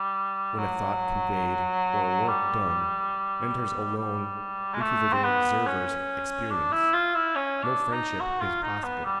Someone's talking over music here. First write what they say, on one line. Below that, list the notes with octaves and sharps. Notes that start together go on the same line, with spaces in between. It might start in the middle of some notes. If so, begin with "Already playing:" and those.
When a thought conveyed or a work done enters alone into the observer's experience, no friendship is possible.
Already playing: G3
F#3
G3
G3
G#3
A3
C4
B3
C#4
D4
E4
F4
E4
C#4
D4
D#4
F#4
F4
D#4
B3
G3